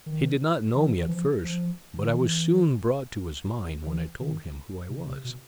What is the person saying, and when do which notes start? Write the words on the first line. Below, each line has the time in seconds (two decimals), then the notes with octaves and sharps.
He did not know me at first, but I was soon brought to his mind when I told him who I was.
0.06 D#3
0.75 E3
1.01 E3
1.09 F3
1.44 F3
1.98 D3
2.06 D#3
2.13 E3
3.87 E3
4.21 D#3
4.89 C3
5.07 C3
5.25 B2